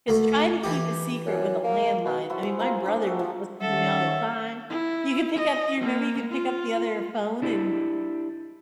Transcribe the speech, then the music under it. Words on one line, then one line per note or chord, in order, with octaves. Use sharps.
Just try to keep a secret with a landline, I mean, my brother was listening to me all the time. You could pick up do you remember you could pick up the other phone and
D2 A3
E3 G4
F#2
A#3
B2
E4 F#4 C5 A5
G#4 C5
A#3 C4 F4 A#4
D4 G#4
F#4 A4
F3
D#3 C#4 A4 C#5 E5 F#5
E4
D#5
A#3
F4
D4 E4 G4